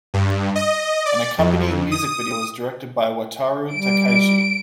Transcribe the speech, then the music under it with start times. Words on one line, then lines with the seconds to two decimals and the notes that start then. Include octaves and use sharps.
An accompanying music video was directed by Wataru Takeishi.
0.14 G2
0.55 D#5
1.06 D5
1.39 F2
1.91 D#6
3.73 G3 D7